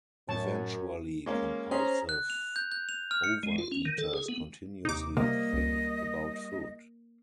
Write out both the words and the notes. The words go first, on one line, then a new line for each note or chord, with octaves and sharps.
Eventually, compulsive overeaters continuously think about food.
F#2 A2 C#5 A5 C#6 A6
G#3 A#3 C#4
C#4 G#4 C5 A#5
F#6
F7
G6
G6
F7
F6
C#7
G#3
F4
C#4
D#3
A4
G#4
B3
D#2 C3 D#4 D6
C3 G3 A#3 D#5
C#2